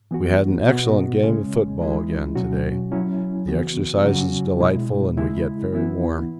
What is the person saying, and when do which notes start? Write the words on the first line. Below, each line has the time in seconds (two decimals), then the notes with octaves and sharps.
We had an excellent game of football again to-day--the exercise is delightful and we get very warm.
0.11 E3 B3 F#4
0.67 B2 B3 F#4
1.23 C#3 G#3 C#4
1.79 E3 G#3 E4
2.35 B2 F#3 C#4 F#4
2.91 F#3 C#4 E4
3.48 C#3 E3 B3 F#4
4.04 C#3 F#3 C#4 F#4
4.60 B2 G#3 E4
5.17 C#3 G#3 E4
5.72 E3 B3 E4